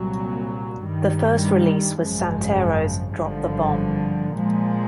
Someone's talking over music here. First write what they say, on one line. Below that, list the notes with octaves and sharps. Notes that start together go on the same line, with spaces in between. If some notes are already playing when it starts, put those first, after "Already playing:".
The first release was Santero's "Drop the Bomb".
Already playing: C2 A#2 F#3
G2 D#3 G3
G#1 F#2 C#3 F3 G#3
G#1 G2 D3 F3
A#2 F3 G#3